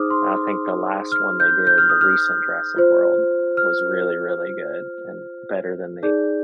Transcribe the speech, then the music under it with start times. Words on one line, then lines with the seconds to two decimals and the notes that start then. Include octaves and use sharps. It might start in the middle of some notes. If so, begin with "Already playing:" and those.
I think the last one they did, the recent Jurassic World, was really, really good and better than the
Already playing: D#4 G#4 C5 D6 D#6 F6
0.10 C6
1.12 F6
1.40 G6
1.67 G6
1.78 F6
1.89 D#6
2.01 F6
2.76 F4 C5
3.57 F6
6.03 D#4 G#4 D5 G6